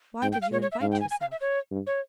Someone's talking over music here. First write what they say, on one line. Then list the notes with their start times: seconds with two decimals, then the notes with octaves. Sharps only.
"Why did you invite yourself?"
0.22 G#2 G5
0.32 G5
0.42 F5
0.51 A#2 C#5
0.62 C#5
0.72 E5
0.81 G#2 F5
0.92 G5
1.01 G#5
1.11 G#5
1.21 F5
1.32 E5
1.41 C#5
1.71 G2
1.87 C#5